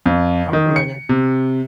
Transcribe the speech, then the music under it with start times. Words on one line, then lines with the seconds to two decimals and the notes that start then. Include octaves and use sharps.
I'm familiar.
0.06 F2
0.53 D#3
0.76 C#7
1.09 C3